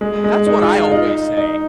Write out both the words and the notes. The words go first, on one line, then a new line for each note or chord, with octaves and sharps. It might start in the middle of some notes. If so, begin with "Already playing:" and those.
That's what I always say.
G#3
G#3
D#4
F4
F4
D#4
D#4